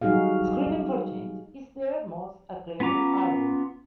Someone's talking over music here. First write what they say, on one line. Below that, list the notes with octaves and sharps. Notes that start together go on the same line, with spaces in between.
"Screaming for Change" is their most acclaimed album.
F#3 G3 D#4 F#4 G#4 F5
B3 C#4 F4 A#5 D6